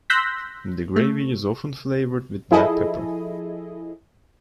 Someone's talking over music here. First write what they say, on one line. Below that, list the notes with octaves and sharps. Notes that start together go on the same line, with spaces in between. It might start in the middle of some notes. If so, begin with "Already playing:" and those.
The gravy is often flavored with black pepper.
C6 E6 F#6 G6 A#6 B6
A3
F3 E4 G#4 A4 D#5